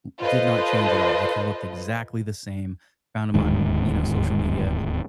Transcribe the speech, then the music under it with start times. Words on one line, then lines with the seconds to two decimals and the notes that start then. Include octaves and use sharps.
w did not change at all. Like, he looked exactly the same, found him on, you know, social media,
0.20 F4 A4 B4 C5 D#5
3.34 D1 D#2 G#2